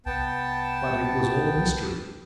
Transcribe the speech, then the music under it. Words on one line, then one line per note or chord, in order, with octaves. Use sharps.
But it was all a mystery.
C2 B3 G5 A5